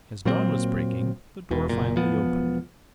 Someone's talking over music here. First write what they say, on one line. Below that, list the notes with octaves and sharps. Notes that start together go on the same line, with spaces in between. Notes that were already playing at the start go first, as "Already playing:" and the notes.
As dawn was breaking, the door finally opened.
A#2 F#3 A#3 C4
E1 B2
F#1 A#2
E1 F3 B3